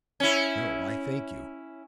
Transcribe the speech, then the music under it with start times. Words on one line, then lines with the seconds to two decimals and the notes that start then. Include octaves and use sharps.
"No, I thank you."
0.20 C#4 E4